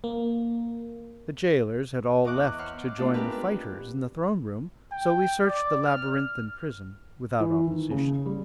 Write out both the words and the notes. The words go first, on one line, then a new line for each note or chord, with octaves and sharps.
The jailers had all left to join the fighters in the throne room, so we searched the labyrinthine prison without opposition.
A#3
E2 D#5 C#6 D6 F#6
C5 C#5 F#5 B5 F6 F#6
D6
A3 B3 D4 F4 A4
G#3 C4 G4 A#4 B4
D4 B4
G5
D5
F6
F6
E3
D#3
C#3
G3